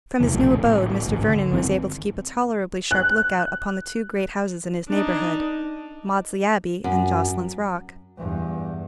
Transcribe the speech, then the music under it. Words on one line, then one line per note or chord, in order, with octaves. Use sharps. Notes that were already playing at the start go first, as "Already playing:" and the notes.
From his new abode Mr. Vernon was able to keep a tolerably sharp look-out upon the two great houses in his neighbourhood--Maudesley Abbey and Jocelyn's Rock.
E2 G2 C3 E3
D1 A#1 F3 A3
D1
A1 D2 G#2
D3
G#1 G2 E3 C4
F#6
D4 D#4
F#2
E2 G2